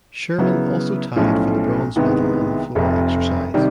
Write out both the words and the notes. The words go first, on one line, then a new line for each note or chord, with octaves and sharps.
Schermann also tied for the bronze medal on the floor exercise.
C#3 F#3 B3 E4
B1 A2 F3 A3 C#4
C2 C3 D#3 G#3 B3
F1 F2 C3
C3 D#3 G3